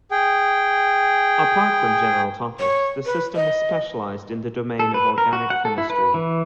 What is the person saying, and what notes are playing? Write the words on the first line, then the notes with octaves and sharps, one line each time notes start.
Apart from general topics, the system was specialised in the domain of organic chemistry.
G#4 G5
C#5
B4
D#5
A4
B4
A#4
F#4
F#5
A4
E4
B4
E3